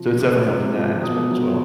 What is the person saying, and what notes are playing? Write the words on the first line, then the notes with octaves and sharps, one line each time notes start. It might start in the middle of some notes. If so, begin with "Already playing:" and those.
So it's definitely helped in that aspect as well.
Already playing: C3 F3
C3
C3
F3
B2 D#6
F#3